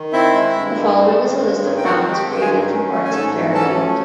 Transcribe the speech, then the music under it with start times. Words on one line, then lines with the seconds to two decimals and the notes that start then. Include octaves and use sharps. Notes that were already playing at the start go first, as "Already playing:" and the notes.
The following is a list of towns created from parts of Fairfield.
Already playing: D#3
0.13 C4 E4 E5
0.34 G#3
0.56 G2
0.77 D#3
0.99 C4
1.20 G#3
1.41 G2
1.62 D#3
1.77 G5
1.83 C4 F#4 F#5
2.06 G#3
2.12 G4 G5
2.27 G2
2.32 G5
2.40 G#4 G#5
2.47 D#3
2.69 C#4
2.90 A3
3.05 G#5
3.11 G#2 A4 A5
3.33 E3
3.55 C#4 A4 A5
3.77 A3